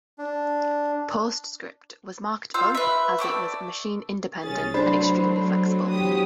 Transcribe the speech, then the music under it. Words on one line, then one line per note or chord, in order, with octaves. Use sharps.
PostScript was marketable as it was machine-independent and extremely flexible.
D4
F4 F5 E6 G6
B4 E5
A3 D5 G5 E6
C2 C#4 G#4 A6
F#3 A3 D4 C5 B5
E2 F#3 G4 D#6